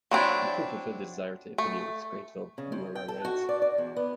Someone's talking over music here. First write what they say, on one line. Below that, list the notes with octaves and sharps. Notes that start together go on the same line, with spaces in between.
We could fulfill the desire to affiliate with this great club, Urawa Reds.
F#3 C4 D4 E4
A3
C#3
F2
G5
A4
F#4
D5
D5
E2
B3